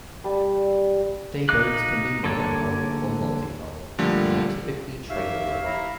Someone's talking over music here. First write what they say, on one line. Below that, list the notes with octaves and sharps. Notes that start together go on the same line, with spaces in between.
Dayboats can be monohull or multihull, and are typically trailer-able.
G3 A5
D#4 F5 D6 F#6
D3 A#3 A4 C#5
A#2 D3 F3 G3 A3
D#4 G4 C#5 E5 F5
E4 A#5